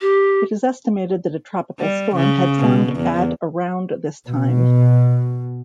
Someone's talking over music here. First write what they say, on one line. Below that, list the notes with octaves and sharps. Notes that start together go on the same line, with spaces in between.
It is estimated that a tropical storm had formed at around this time.
G4
G3
C#3
B2
E2
B2